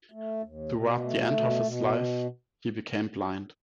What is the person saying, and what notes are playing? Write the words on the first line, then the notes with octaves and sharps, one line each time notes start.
Toward the end of his life he became blind.
A3
D#2
B2
A3
B2
B2